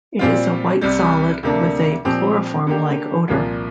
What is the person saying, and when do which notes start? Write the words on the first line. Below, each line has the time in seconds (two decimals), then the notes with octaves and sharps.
It is a white solid with a chloroform-like odor.
0.19 A#2 G3 C4 F4
0.81 C2 C3 G3
1.43 D2 C3 A#3 D4
2.05 A#2 F3 C4 G4
2.67 D3 A#3 G4
3.28 C2 A#2 F3 A#3 F4